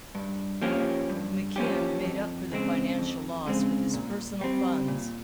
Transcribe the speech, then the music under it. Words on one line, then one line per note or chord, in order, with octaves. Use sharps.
McKim made up for the financial loss with his personal funds.
G2
F3 A#3 C#4 G4
G2
F3 A#3 C#4 G4
F2
C#3 G#3 C4
F2
C#3 G#3 C4
A#2
G3 C4
A#2